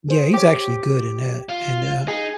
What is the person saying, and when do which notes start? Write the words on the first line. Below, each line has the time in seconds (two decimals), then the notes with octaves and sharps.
Yeah, he's actually good in that and, uh
0.09 G#4 C5
0.34 G4 C#5 D6
1.49 F4
2.08 D#4 G#4